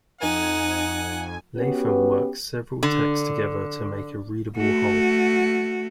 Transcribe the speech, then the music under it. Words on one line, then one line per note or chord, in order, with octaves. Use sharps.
Latham works several texts together to make a readable whole.
F2 D#4 F#5 G#5
B3 C#4 F#4 G4 B4
D3
A3 F#4